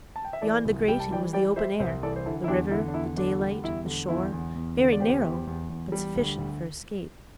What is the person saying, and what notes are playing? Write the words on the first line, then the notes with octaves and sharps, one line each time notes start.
Beyond the grating was the open air, the river, the daylight, the shore, very narrow but sufficient for escape.
A5
G5
E5
E3 A4 D5
C2
G3 G5
A5
E3 D5 G5
G3 D5 G5
G3 C5 E5
C2 C5 E5
E3 A4 D5
C5
D3 E4 A4
E4
E2 D4 G4
D3 E4
D4
E2 E4
D3 D4
G3
E2 E4
D3
E2 E4
E2
E2
D3
D5
E2 G4 C5
E2
E2
E2
G3
D2
D2